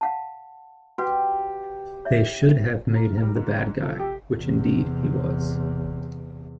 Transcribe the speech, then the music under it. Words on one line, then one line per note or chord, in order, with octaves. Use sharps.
They should have made him the bad guy, which indeed he was.
F5 F#5 A5
F#4 G4 B4 F#5
C#5 E5
A#3 F4
G3 A#4
G#2
C3 F3 A4
G4
E2 C3